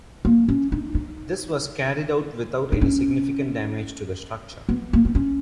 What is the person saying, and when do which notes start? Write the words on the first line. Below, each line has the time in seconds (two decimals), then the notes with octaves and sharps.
This was carried out without any significant damage to the structure.
0.25 A#3
0.48 C#4
0.72 D#4
0.95 D#4
2.72 D#4
2.81 C#4
4.69 B3
4.93 A#3
5.05 B3
5.15 C#4